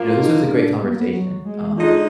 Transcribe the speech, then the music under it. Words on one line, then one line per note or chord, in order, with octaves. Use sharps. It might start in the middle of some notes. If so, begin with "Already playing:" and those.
you know, this was a great conversation, um,
Already playing: F#2 F3 A#3 F4
D#4
D4
B3
A#3
B3
F#3
G#3
D3 F3 G#3 D#4 F4